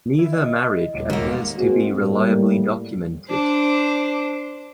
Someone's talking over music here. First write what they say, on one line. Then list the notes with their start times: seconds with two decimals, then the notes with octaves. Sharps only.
Neither marriage appears to be reliably documented.
0.19 E4
0.33 D#5
0.94 D#1
1.10 D#1 G#2 A3 A#3
1.58 G#3 A#3 C4 F#4
1.98 A2 G3 A#3
3.29 D4 C5